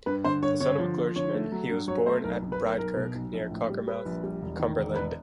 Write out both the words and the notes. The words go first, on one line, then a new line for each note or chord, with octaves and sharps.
The son of a clergyman, he was born at Bridekirk near Cockermouth, Cumberland.
G2 B4
D3 C5
G2 C#5
D3 C#5
F3
F3
D3 C#5
A3
F#3
G2
F#3 C#5
A3 C5
B1 A#4
B1
B4
B1 A#4
B1 A#4
B2
B1
A#1
A2
G3
G3 B4
A#1
G3
E1
D#3
E1
E1 B4